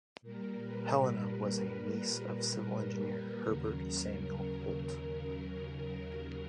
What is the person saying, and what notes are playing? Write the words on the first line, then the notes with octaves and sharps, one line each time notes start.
Helena was a niece of civil engineer Herbert Samuel Holt.
A#2 G3 A#4
B4
B4
A#4
D#2 C#3 F#3